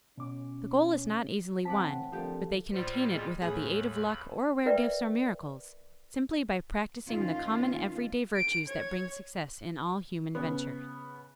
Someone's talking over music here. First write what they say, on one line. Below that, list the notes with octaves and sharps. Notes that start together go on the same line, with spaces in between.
The goal is not easily won, but they can attain it without the aid of luck or rare gifts or miracles--simply by practicing the common everyday virtues that bring success in all human ventures.
B2 C#4 D6
A2 E3 C4 F#5 A5 D6 B6
D3 F3 A3 A#3 C4 G4
A2 G3 F4 C5
G#3
D#2 A2 G#4 B5
A#4 B4 D5 E5 G5
D#2 D#3 C#4 F4 F5
D7
C#5
C#3 B3